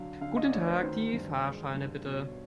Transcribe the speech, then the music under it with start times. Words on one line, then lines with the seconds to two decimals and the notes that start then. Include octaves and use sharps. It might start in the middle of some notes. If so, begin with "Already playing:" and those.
Guten Tag, die Fahrscheine bitte.
Already playing: D3 F#3 F5
0.21 D3 F5
0.36 D#5
0.46 D5
0.52 D2 C#5
0.67 B4
0.82 D#3 C5
1.13 G2
1.44 G#3
1.75 G2
2.05 B2 C#5